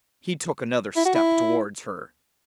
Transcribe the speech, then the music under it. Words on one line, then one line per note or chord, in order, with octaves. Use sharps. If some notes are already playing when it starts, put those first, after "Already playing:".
He took another step towards her.
E4
F#4
E4